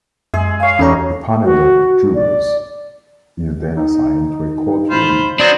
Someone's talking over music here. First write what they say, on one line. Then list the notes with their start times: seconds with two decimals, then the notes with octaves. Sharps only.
A panel of jurors is then assigned to a courtroom.
0.34 F#2 G#3 G#4 E5
0.60 C#5 E5 F5 G#5
0.79 E2 G3 C#4 D#4 F#4 A4 C#5
1.44 F#4
2.15 D5
3.76 D#4
4.90 F4 C5 B5
5.39 F#3 B3 D4 C5 D5 G6